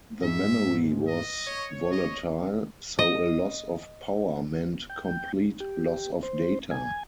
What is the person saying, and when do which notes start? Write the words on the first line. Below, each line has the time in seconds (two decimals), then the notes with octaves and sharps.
The memory was volatile, so a loss of power meant complete loss of data.
0.23 G#2 E5
1.07 D#5
1.47 C#5
1.92 D#5
2.99 D#5
4.90 G5
5.60 G4
6.23 C5
6.71 G#5